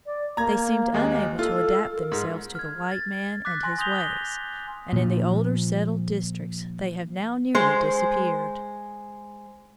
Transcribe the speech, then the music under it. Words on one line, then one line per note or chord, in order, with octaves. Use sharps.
They seemed unable to adapt themselves to the white man and his ways, and in the older settled districts they have now nearly disappeared.
D5
A#3 A#5 G#6
D#2 G#3
F4 A4
A#4
G#2
F6 G#6
A6
D6 F#6 A6 B6
G#5 C6 A#6
C6 D#6 G6 A#6 F7 G7
A#2 F3
G#3 C5